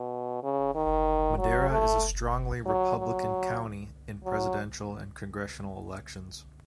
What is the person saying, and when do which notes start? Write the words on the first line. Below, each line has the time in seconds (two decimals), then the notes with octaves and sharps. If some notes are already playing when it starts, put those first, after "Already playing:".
Madera is a strongly Republican county in Presidential and congressional elections.
Already playing: B2
0.43 C#3
0.75 D#3
1.38 F#3
1.70 A3
2.65 F#3
2.97 F#3
4.24 F#3